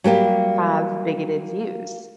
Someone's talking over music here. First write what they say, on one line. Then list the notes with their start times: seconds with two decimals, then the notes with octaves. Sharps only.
have bigoted views,
0.04 F#3 G3 A#3 G4